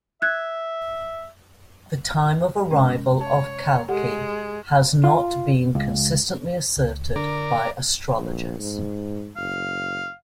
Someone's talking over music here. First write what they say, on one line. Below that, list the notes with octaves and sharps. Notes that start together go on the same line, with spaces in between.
The time of arrival of Kalki has not been consistently asserted by astrologers.
E5 F#6 G#6
C3 G#3 C#4
C#5 A5
G#3 G4 A4 F#5
F4
C#2
C#2
D3 A#4 D5
A#1
G#2
F#1 F5